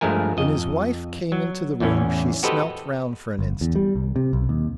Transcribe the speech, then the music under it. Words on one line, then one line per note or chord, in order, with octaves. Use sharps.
When his wife came into the room she smelt round for an instant.
G2 F3 G#3 A3 A#4 G#5
F2 D#5
F#3
E2 A2 E3 C#4
F#4 G4 A4 B4 C5 D#5
G1
E2
G3
C2
C3
B1
D#2